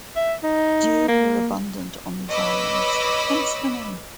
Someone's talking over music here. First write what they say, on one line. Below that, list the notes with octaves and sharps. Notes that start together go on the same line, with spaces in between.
Deer were abundant on these islands, hence the name.
E5
D#4
A#3
B4 C#5 D#5 B5 D6 E6